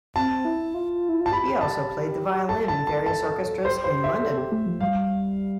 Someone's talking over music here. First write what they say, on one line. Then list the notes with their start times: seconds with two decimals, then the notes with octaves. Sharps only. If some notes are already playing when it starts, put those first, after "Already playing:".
He also played the violin in various orchestras in London.
0.16 C4 A5
0.45 E4
0.74 F4
1.09 E4
1.20 F4
1.26 A5
1.32 G4 B5
1.61 A5
2.49 A4 A5
2.68 A5
2.87 A5
3.06 A5
3.65 G4 C5
3.84 C5
4.04 E5
4.18 G4
4.23 A4
4.37 G4
4.52 A3
4.66 F3
4.80 G3 F5